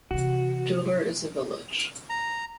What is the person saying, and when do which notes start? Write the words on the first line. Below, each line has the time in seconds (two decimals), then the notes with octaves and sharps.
Duler is a village.
0.11 C3 E3 F#4
2.10 A#5